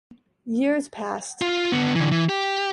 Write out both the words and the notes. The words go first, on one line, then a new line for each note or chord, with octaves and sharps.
Years passed.
F4
D3 B3
D3 E3
E3
G4